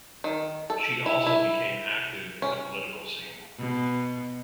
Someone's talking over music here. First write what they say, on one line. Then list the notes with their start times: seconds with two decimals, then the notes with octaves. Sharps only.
She also became active in the political scene.
0.24 D#3
0.70 A4
1.06 E4
1.27 E4
2.42 C#4
3.59 B2